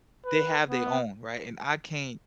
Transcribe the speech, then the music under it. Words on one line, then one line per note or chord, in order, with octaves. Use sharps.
they have their own, right? And I can't
B4
B3